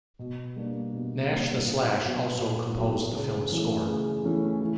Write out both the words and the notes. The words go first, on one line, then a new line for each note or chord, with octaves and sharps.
Nash the Slash also composed the film's score.
B2
G3 A#3 D4
B2
G3 A#3 D4
A#2
F#3 B3
A#2
F#3 B3
C#3
E3 A3 C#4
C#3
E3 A3 C#4
E3